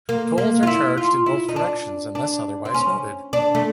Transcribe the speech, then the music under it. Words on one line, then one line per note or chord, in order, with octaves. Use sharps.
Tolls are charged in both directions unless otherwise noted.
A#3
A#3
F4
E4
F4
E4
D#4
D4
D4
C4
C#4
D4
A3